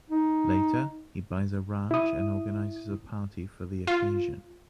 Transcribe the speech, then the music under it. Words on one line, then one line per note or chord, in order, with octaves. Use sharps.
Later, he buys a ranch and organizes a party for the occasion.
D#4
E4 D#6
F4